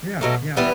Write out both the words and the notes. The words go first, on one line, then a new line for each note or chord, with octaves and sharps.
Yeah, yeah.
B2 F#3 A3
E3 G3 B3